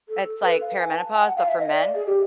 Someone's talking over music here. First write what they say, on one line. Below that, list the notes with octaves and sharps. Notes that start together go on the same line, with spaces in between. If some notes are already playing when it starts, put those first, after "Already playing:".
it's like perimenopause, but for men.
A4
B4
F5
G#5
A5
G#5
G5
F#5
F5
E5
D#5
D5
G#4
G4